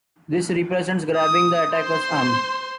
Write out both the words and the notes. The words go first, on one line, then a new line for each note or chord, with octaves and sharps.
This represents grabbing the attacker's arm.
D#6
C5 C6